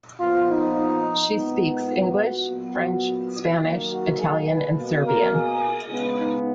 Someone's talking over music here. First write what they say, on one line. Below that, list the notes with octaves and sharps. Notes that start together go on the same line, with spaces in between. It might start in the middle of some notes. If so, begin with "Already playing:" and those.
She speaks English, French, Spanish, Italian and Serbian.
A#2 F3 B3 F4
D#4
A#2 G#3 B3
D#4
F4
F#4
A#2 F#3 B3
F#4
D#3 F#3 A#3
F#4
G#4
B4
B2 A#3
A#4
G#4
C#3 G#3 B3
D#4